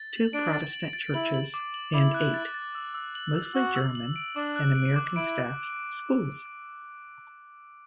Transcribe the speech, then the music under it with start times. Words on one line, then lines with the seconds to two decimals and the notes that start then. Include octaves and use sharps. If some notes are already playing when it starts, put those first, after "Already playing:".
Two Protestant churches and eight, mostly German- and American-staffed, schools.
Already playing: A6
0.13 F#7
0.33 D4 D7
0.53 A6
0.73 F#7
0.93 A6
1.14 E4 F#7
1.34 F#7
1.54 D6
1.74 F#7
1.94 E4 D6
2.14 F#6
2.34 A6
2.54 A6
2.75 E6
2.94 E6
3.15 F#7
3.35 E6
3.54 F#4 E6
3.75 E6
3.95 F#7
4.16 D7
4.36 D4 D6
4.56 F#6
4.75 D7
4.96 D6
5.16 E4 D7